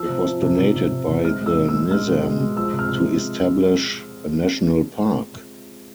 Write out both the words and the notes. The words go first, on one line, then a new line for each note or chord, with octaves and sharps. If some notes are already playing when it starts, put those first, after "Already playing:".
It was donated by the nizam to establish a national park.
Already playing: F3 E6
C3
F3
C3
C3
C3
C3
C3
G#3 F6
G#3 E6
B2
E6
G#3
G#3 F6
B2
G#3
G#3
F3 E6
C3
F6
C3